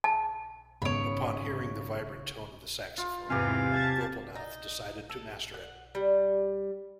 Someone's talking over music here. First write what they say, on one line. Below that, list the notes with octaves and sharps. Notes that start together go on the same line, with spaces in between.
Upon hearing the vibrant tone of the saxophone, Gopalnath decided to master it.
A5
G#1 C#3 B3 C#5 B5 D7
F4
E2 G#2 C3 E3 G4 F5 G#5
A5 G#6
D#4
A4
F#5
G3